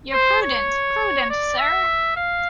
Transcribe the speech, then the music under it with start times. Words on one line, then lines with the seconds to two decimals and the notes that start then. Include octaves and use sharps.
You're prudent, prudent, sir!
0.13 C5
0.42 C#5
1.30 D5
1.58 E5
2.17 F5